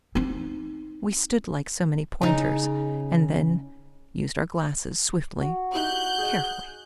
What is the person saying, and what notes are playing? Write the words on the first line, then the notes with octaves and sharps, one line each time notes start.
We stood like so many pointers, and then used our glasses, swiftly, carefully.
C4 D#4
C#3 D#4
F#4
D#4 E4 G4 F#6 G6
G#4 D#5